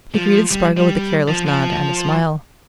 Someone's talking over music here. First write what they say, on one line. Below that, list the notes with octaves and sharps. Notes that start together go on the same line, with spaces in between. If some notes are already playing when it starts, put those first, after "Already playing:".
He greeted Spargo with a careless nod and a smile.
F3
G3
G3
F3
F3